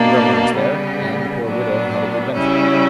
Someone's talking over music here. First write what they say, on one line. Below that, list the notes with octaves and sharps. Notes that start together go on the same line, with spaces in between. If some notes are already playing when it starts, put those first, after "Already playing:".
The Governor was there, and the poor widow had a good benefit.
Already playing: B2 A#3 D4
C#3 G3 B3
A#2 F#3 B3 D4
C#3 G3 C#4 E4